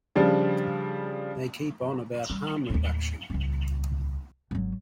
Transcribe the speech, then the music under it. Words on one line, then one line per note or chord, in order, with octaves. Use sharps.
They keep on about harm reduction.
C#3 F3 G3 D4
G3
D#2 A2
D#1 C#2
G#1 F#3